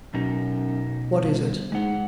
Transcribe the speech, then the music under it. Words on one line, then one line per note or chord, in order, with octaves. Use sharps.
"What is it?"
F#2 B2 D#4
G1
G#2 G#3 F#5